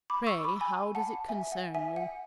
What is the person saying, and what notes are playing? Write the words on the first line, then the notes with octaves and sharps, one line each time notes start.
'Pray how does it concern you?
B5 D6
C#6 E6
B5 D6
G#5 B5
F#5 A5
E5 G#5
F#5
E5 G#5
F#5